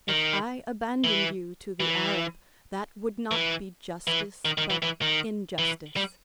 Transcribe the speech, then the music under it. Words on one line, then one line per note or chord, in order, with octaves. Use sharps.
If I abandoned you to the Arab, that would not be justice but injustice.
D#3
E3
E3
E3
E3
D#3
D#3
E3
E3
D#3
E3
G3